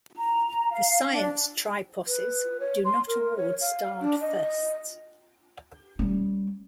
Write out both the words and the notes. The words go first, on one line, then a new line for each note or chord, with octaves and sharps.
The science Triposes do not award Starred Firsts.
A#5
F5
D4
B4
C#5
C6
A#4
C#5
F5
D4
D#5
G3 C#4